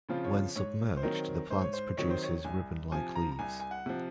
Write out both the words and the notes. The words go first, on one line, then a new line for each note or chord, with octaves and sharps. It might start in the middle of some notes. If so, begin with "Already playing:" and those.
When submerged, the plant produces ribbon-like leaves.
C#3 F3 C4 F4
C#5
G#2 C#5
C5
D#3 F#3 C4 A#4
G#2 C5
C#5
C5
D#3 F#3 C4 C#5
C5
C#5
C2 G#5
C3 F3 G#5
A#5
A#5
C2 G#5
G#5
F#5
C3 F3